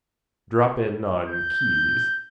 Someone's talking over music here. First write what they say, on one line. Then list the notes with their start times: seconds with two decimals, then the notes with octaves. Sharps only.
Drop in on Keyes.
1.29 G6